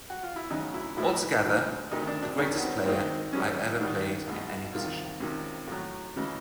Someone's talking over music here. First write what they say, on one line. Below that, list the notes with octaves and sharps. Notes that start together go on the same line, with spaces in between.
Altogether, the greatest player I've ever played in any position.
F#4
F4
E4
D2 C#3 F#3 D#4
E4
A2 F3 G#3 E4
D2 D3 F3
D2 C3 D#3 D#4
D4
D4
D#2 D#3 G3 C#4
B3
C4
G#2 D#3 G#3 C4
F#2 D#3 G3 C#4
G#2 D#3 G3
C2 B2 G#3
C2 C3 D#3 F4
C#2 C3 D#3
A2 F#3
C#3 E3 G#3